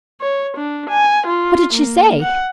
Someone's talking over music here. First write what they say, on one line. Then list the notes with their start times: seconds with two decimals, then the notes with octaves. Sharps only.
"What did she say?"
0.21 C#5
0.57 D4
0.90 G#5
1.27 F4
1.73 A#3
2.22 F#5